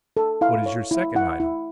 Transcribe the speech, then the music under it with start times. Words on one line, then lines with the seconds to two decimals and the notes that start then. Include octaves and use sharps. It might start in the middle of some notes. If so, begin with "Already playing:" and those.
"What is your second item?"
0.17 A4
0.41 E4 F5
0.66 C#5
0.91 E4
1.15 E4 F#5
1.40 E4